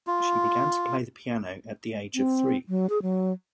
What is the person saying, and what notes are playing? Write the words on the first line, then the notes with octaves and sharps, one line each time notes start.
She began to play the piano at the age of three.
F4
C4
F#3
G#4
F#3